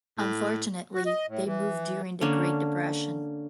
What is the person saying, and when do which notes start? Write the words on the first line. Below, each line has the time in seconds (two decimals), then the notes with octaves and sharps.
Unfortunately, they move during the Great Depression.
0.18 A2
0.94 F#4
1.06 D#5
1.28 A2
1.45 E3
2.21 D3 A#3 C#4 D4